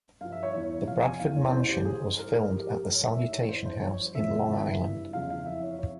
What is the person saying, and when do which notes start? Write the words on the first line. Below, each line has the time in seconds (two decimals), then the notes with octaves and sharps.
The Bradford Mansion was filmed at the Salutation House in Long Island.
0.21 G2 F3 F5
0.32 E5
0.43 C#5
0.53 E2 E3 C#5
0.87 F2 C3 F3 F5
1.02 G#5
1.19 E2 E3 F5
1.36 C#5
1.52 E2 C#3 E3 C5
1.69 G4
1.85 G2 F3 G#4
2.02 C5
2.18 G#2 E3 A#4
2.34 A#4
2.50 G2 F3 G4
2.62 G4
2.72 A#4
2.84 G#2 F3 A#4
2.95 C#5
3.05 E5
3.16 G#2 E3 E5
3.32 C#5
3.49 G2 E3 C5
3.66 C5
3.82 G2 F3 C#5
4.15 E2 C3 F3 E5
4.48 E2 C#3 F3
4.80 G2 E3
5.13 E2 C#3 F3 F5
5.30 F5
5.46 F2 E5
5.51 E3
5.63 C#5
5.79 F3 C#5